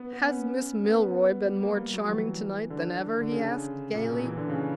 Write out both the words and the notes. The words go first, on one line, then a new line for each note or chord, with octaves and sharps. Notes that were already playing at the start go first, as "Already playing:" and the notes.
"Has Miss Milroy been more charming to-night than ever?" he asked, gayly.
Already playing: B3
B3
C#4
B3
G3
A#3
G3
F#3
E3
D3
D3
C#3
A#2
B2
E3
D3
C#3